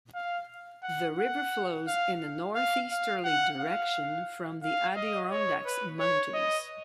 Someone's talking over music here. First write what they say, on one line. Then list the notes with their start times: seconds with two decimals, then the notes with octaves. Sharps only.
The river flows in a northeasterly direction from the Adirondack Mountains.
0.15 F5
0.83 F#5
1.18 F#5
1.87 F5
2.55 F5
2.91 F5
3.24 F#5
3.58 F5
4.63 F5
4.96 D#5
5.30 C#5
5.66 B4
5.99 C#5
6.34 D#5